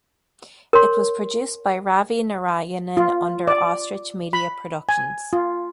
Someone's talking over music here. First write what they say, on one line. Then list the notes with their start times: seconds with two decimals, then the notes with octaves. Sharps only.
It was produced by Ravi Narayanan under Ostrich Media Productions.
0.73 A#4 C#5 C6
2.97 F4
3.47 D5
4.33 B5
4.89 G#5
5.33 F4